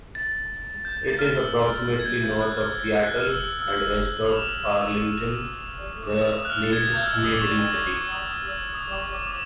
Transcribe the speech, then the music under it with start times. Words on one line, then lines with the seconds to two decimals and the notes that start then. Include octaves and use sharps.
It is approximately north of Seattle, and west of Arlington, the nearest neighboring city.
0.15 A6
0.85 G6
1.19 F6
1.37 E6
1.88 F6
1.99 G#6
2.06 G6
2.23 G6
2.41 F#6
2.57 F6
3.03 F#6
3.16 F6
3.26 E6
3.61 E6
4.25 D#6
4.30 D6
4.65 C#6
6.04 D6
6.21 D#6
6.38 D#6
6.45 F#6
6.50 F6
6.63 A6
6.72 G#6
6.85 G#6
6.96 G6
7.03 E6
7.08 F6
7.16 E6
7.24 D#6
7.34 D6
7.41 C#6
7.77 C#6
7.94 D6
8.12 D#6
8.28 D#6
8.46 E6
8.74 D#6
8.81 D6
8.98 C#6
9.14 D6
9.27 D6